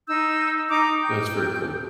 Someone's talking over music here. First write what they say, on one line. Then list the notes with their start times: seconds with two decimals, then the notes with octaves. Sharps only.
that's very cool.
0.07 D#4 E6 G6
0.69 D#4 A#5 D6 D#6
1.02 G5 G6